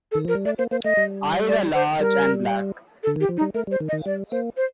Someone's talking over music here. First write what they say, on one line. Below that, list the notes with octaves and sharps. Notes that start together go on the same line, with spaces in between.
Eyes are large and black.
A4
D#3
F3 A#4
G3
A3 D5
A#3 C5
A#3 C5
A3 D#5
G3
D5
C5
G3 A#4
A4
D3
D#3
G4
F3
D#4
G3
A3 A#4
G3 C5
D#3
D#5
D#3
G3 D5
A#3 C5
C5